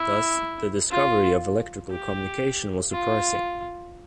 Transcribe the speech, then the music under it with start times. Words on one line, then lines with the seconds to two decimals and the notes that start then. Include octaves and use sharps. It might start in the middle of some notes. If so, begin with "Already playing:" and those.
Thus, the discovery of electrical communication was surprising.
Already playing: E4
0.91 F4
1.91 G4
2.92 F4